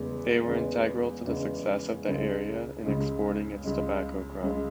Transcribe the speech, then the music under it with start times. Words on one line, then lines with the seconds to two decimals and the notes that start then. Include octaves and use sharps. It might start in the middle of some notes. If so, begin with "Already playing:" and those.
They were integral to the success of the area in exporting its tobacco crop.
Already playing: E2 C#3 G#3 B3
0.47 E2 C#3 G#3 B3
1.25 E2 C#3 G#3 B3
2.05 C#2 C#3 G#3
2.84 C#2 C#3 G#3
3.64 C#2 C#3 G#3
4.43 C#2 C#3 G#3